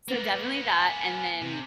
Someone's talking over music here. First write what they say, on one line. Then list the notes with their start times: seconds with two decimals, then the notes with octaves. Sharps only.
So, definitely that and then
0.08 A#3 B3 B4
0.71 G#5
1.42 C3